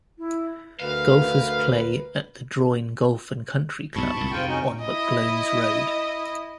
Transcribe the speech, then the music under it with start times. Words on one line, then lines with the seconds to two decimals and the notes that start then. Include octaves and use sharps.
Golfers play at the Drouin Golf and Country Club on Mcglones Road.
0.18 E4
0.80 D2 A#4 B4 F5
3.96 B1 G2 A5 B5 C#6
4.17 C2 A#2
4.31 F2 G#2 C3 F4 G5
4.48 C#4 D#4 F#4
4.82 E4 D#5